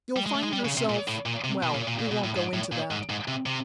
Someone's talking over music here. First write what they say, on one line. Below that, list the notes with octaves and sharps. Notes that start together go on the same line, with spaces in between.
You'll find yourself--well, we won't go into that.
G3
G#3
A3
G#3
G3
C#3
C3
A#2
A2
A#2
C3
B2
A#2
A#2
A#2
B2
A2
G#2
A2
A#2
G#2
G#2
C3
C3